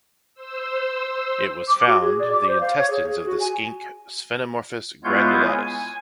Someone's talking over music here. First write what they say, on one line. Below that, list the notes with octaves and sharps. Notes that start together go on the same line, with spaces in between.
It was found the intestines of the skink "Sphenomorphus granulatus".
C5 E6
D6
F#4
G#4
D5
D6
C5
F5
C#5
G#4
G#4
F#4
G#5
G#3 B3 E4 F4 C#5 G6
G#5